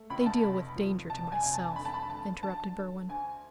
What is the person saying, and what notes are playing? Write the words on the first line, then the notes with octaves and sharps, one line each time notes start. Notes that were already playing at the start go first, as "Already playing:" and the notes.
"They deal with danger to myself," interrupted Berwin.
Already playing: A3
C#2 B5
A5
F1 B5
F3
F1 A5
G#5
F1 G#5
A5
D3 B5
A5
B5
D3 A5
D3 A5
D3
D2 G#5